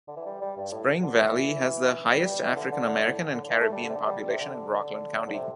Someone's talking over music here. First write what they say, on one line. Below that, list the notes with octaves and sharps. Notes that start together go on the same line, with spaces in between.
Spring Valley has the highest African American and Caribbean population in Rockland County.
D3
E3
G3
G3
G2
A2
D3
E3
G3
G3
E3
D3
D3
D3
A2
D3
D3
E3
A3
G3
D3
C3
D3
G3
C3
D3
A2
C3